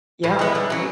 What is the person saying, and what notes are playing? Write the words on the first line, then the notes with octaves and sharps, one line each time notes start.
Yeah, right?
A2
G#3 B3 E4
D3
F#3 C#4